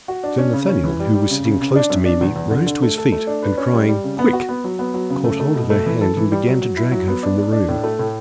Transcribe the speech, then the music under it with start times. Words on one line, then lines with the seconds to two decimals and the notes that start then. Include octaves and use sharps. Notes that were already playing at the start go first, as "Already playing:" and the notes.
Sir Nathaniel, who was sitting close to Mimi, rose to his feet, and, crying, "Quick!" caught hold of her hand and began to drag her from the room.
0.08 F#4
0.23 D4
0.38 C#4
0.53 C#3
0.69 C#4
0.84 E3
1.00 G3
1.15 G3
1.30 C#3
1.45 C#3
1.60 C#3
1.76 D4
1.90 F#2
2.05 D4
2.21 E2
2.36 E2
2.51 D3
2.66 D3
2.82 A3
2.97 A4
3.12 A3
3.27 D4
3.42 B4
3.58 C#4
3.73 G3
3.88 G3
4.04 C#3
4.19 B3
4.33 F#4
4.49 B3
4.64 F#3
4.79 B3
4.94 F#3
5.10 C#3
5.24 A3
5.40 A3
5.55 B2
5.70 A3
5.86 E3
6.01 A4
6.17 E3
6.32 G3
6.47 F#3
6.61 F#3
6.77 E4
6.92 F#3
7.08 B3
7.23 D4
7.38 D4
7.52 D4
7.69 A2
7.84 A3
7.99 A2